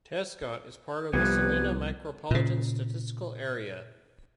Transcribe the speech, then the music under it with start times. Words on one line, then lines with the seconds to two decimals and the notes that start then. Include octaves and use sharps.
Tescott is part of the Salina Micropolitan Statistical Area.
1.13 C2 F3 G3 B3 B4 G#6
2.31 A#2 C#3